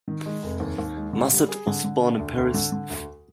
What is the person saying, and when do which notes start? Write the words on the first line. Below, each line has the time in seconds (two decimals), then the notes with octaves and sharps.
Musset was born in Paris.
0.08 D#3
0.26 G#3
0.43 F1
0.60 D#2
0.78 D#2
0.97 G#3
1.13 D3
1.31 G3
1.49 G#4
1.67 D3
1.84 D3
2.02 D4
2.19 D2
2.37 D2
2.54 D3
2.72 D3
2.90 D2